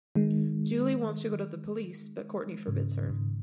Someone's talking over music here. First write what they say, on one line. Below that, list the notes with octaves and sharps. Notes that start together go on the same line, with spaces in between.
Julie wants to go to the police, but Courtney forbids her.
D#3 G#3
G#2 C#3
G#2